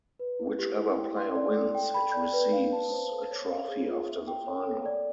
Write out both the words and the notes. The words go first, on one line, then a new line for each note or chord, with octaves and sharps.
Whichever player wins it receives a trophy after the final.
B4
E4
G4
E4
G5
C6
D5
A4
G5
B5
D5
B4
F5
A5
C5
A4
C#5
F5
G#4
F4
E5
G5
C#5
A4
D5